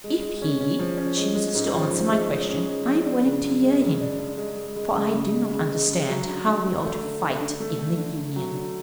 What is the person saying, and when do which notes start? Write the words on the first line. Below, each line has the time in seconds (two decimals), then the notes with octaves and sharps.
If he chooses to answer my question, I am willing to hear him, for I do not understand how we are to fight in the Union.
0.04 G#3
0.22 G#3
0.42 C#4
0.60 C#4
0.79 F3
0.97 C#4
1.17 G#3
1.35 G#3
1.55 G#2
1.74 F3
1.93 F3
2.12 G#3
2.30 G#3
2.49 C#4
2.68 G#3
2.87 F3
3.06 D4
3.25 C#3
3.44 F#2
3.63 G#3
3.82 F#2
4.01 D4
4.19 D4
4.38 G#3
4.57 G#3
4.76 G#3
4.94 C#3
5.15 C#3
5.33 G#3
5.51 C#3
5.71 G#3
5.90 C#3
6.09 F#3
6.27 D3
6.47 D3
6.65 D3
6.84 A3
7.03 D3
7.22 D3
7.41 D3
7.60 A3
7.79 A3
7.97 D3
8.17 D3
8.36 F#3
8.54 D3